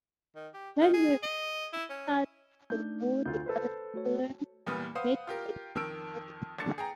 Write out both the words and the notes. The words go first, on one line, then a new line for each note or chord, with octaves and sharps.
Maxim's is featured in the Woody Allen film "Midnight in Paris".
D#3
G4
D#3
G#4
D#5
E4
C#4
A3 D4 D#4 G6
D2 F4 G6
A4 B4 C5
A3 F#4 C#5
E2 A#2 G3 B4 D#6 F6
B4 C5 F5 F#5 D#6
F4 G4 A#4
F2 D#3 E6 D7
G#1 D3 D4 A6 C#7
G#4 G5 A#5